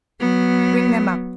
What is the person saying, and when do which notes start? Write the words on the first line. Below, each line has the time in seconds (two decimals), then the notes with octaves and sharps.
Bring them up.
0.20 F#3 B3